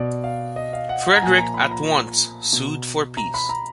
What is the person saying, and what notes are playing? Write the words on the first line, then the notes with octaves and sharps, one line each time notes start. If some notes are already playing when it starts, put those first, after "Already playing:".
Frederick at once sued for peace.
Already playing: B2 D5
F5
D#5
F5
F#5
F#5
A#5
A#2 F3 G#5
A#5
B5
A#5
B2
A#5
B5
A#5